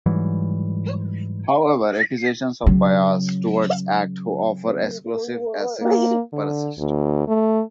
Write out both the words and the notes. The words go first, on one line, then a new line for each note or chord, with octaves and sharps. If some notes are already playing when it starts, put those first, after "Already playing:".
However, accusations of bias towards acts who offer exclusive access persist.
G#2 E3 F#3 G3
C#3 F#3
A#3
D3
D2
A3